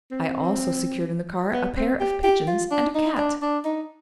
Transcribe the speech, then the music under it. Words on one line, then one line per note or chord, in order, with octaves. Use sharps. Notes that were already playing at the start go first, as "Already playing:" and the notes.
I also secured in the car a pair of pigeons and a cat.
C4
B3
C4
G4
G4
F4
D4
D#4
D4
D4
D#4